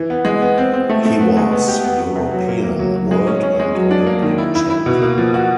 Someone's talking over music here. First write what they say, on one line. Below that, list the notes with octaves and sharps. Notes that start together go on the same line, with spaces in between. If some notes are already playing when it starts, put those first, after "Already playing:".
He was European, World and Olympic champion.
Already playing: E3
B3
G#3
B3
C4
C4
A3
A3
B3
G#3
B3
G4
B3
B3
C3
F#3
A#3
A#3
F#3
F#3
G#3
C#4
C#4
G#3
F#3
D4
A#3
D#3
E4
E4
E4
B2
A#3
F3
F#4